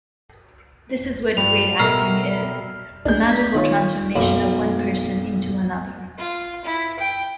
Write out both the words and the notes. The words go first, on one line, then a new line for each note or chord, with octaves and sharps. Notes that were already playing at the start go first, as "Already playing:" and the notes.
This is what great acting is, a magical transformation of one person into another.
G2 F3 G3 F7
B2 A4 A#4 E5 E6 F6 C7
B1 G#3 D4 G6
B3 B6
D#3 F4 C#5
B1 F#2 A#3 B5
F4
E4
G5